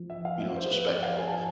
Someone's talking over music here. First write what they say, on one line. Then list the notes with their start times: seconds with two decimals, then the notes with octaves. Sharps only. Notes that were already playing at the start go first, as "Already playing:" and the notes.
you know, it's a spectacle.
Already playing: F3
0.10 E5
0.25 F5
0.40 F3 E5
0.56 C5
0.71 B4
0.87 D5
1.03 F5
1.18 G#5
1.28 A5
1.34 G#5